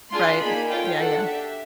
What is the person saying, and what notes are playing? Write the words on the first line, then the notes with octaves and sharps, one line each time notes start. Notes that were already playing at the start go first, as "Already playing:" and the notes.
Right. Yeah, yeah,
D4 F4 G#4 C6
A#3 D#4 G#4 B5
C#4 F4 A4 G5
D4 F#4 A4 F#5
D4 G4 E5